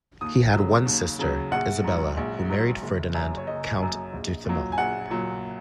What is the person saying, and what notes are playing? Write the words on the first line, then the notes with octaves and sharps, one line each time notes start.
He had one sister, Isabella, who married Ferdinand, count d’Outhement.
D#2 D#6
C#3 F#3
D#2
C#3 F#3
A#1 F#5
G#2 F#3
A#1
G#2 F#3
F#1
F#2 F#3
C#5
F#1 D#5
F#2 F#3
A#1
A#2 F#3
G#5
A#1 F#5
A#2 F#3